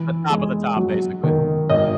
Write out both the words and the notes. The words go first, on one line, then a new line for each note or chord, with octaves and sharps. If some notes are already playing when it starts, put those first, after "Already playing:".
The top of the top, basically.
Already playing: E3
G#3
F#3
D#3
G#1 D#5